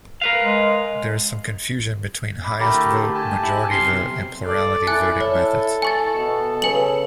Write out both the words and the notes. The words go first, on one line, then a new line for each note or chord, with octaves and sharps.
There is some confusion between highest vote, majority vote and plurality voting methods.
A#4 B4 F5
G#3
B5 D6
D3 A3 E4 G4 A#4
G4 G#5 A5
E4
B1 C3 C6 F6
A4 D5
E4 G#5 F#6 A6
A4 C#5
G#5 C#6 A6
B2
C#3 B4 G#5 F#7